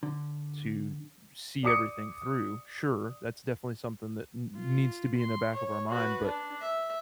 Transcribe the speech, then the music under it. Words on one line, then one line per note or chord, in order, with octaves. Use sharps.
to see everything through sure, that's definitely something that n needs to be in the back of our mind, but
D3
D5 D6 D#6 C#7
F4
C6
C#5
F#4 B4
D4
E5